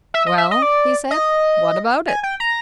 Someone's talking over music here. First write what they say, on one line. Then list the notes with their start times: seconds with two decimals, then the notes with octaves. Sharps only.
"Well," he said, "what about it?"
0.14 E5
0.26 D#5
0.38 E5
0.51 D#5
0.62 D5
1.11 D#5
2.08 G#5
2.23 G5
2.40 A#5